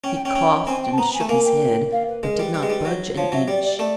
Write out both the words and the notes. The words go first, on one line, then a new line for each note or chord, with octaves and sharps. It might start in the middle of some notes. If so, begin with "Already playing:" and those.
He coughed and shook his head, but did not budge an inch.
C#4 G5
G5
C#4 G5
C#4
C4 G#5
G5
A5
B3 A#5
G#5
A3
A#3 G#5
G5
F5
B4
G#3 A#4
A#4
G3 B4
G3
G#3
G3
F#3
F3 C#5
F#3 E5
G3 D5
D5
A3 D5